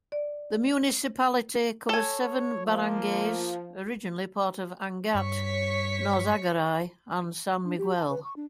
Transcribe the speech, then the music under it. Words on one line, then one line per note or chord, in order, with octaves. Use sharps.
The municipality covers seven barangays, originally part of Angat, Norzagaray, and San Miguel.
D5
A4 C#5 G#5
F3 A#3
G2 C#5 C#6 B6
D4
G4
A5
B4
C#6
D4